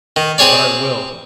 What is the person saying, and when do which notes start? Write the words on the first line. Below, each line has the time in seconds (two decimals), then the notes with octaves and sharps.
But I will.
0.16 D#3
0.38 C4 G#4 C#5 D5